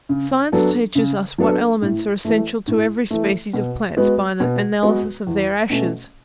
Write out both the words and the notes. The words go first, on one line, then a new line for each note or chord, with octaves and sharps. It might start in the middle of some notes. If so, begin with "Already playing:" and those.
Science teaches us what elements are essential to every species of plants by an analysis of their ashes.
C#3
F#3 B3 D4 A4
C#3
F#3 B3 D4 A4
A2
E3 A3
A2
E3 A3
B2
G#3 B3 F#4 B4
B2
G#3 B3 F#4 B4
E2
B2 A3 C#4